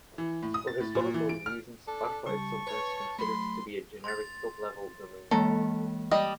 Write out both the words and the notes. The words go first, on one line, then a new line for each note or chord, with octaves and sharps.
For historical reasons, arpa is sometimes considered to be a generic top-level domain.
E3
A2
D#6
A6
A2
A#2
E3
D7
F6
D4 A4
C#3 G3 A5 C#6
B4 C#5
F#3 A3 B5 C6
C6 A6
E3 G#3 A#3 A4 A#5
G3 D#5 G5